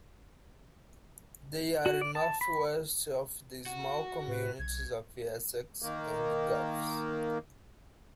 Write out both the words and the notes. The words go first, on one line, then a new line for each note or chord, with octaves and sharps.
They are northwest of the small communities of Essex and Goffs.
F#4
D5
A5
B5
F#4
A2 B4
B1 G#6
D#3 A#3